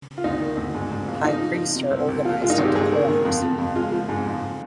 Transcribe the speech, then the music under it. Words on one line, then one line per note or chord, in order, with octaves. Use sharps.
High priests are organized into quorums.
F4
D2 D#4
D#3
D2
G#2
G#2
A#1
F3 D#4
F3
F3
C3
C2
C2
F3 F4
G#3 F4
D#4
G#1
G4
G#2 G#4
D#3
D#3
F2
F2
F2
G#3 F4
F3
G#2
F2